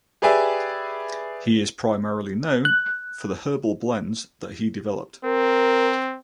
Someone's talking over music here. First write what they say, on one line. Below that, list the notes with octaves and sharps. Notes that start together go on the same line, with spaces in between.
He is primarily known for the herbal blends that he developed.
G4 G#4 B4 D5 E5 G#5
F#6
C4 A#4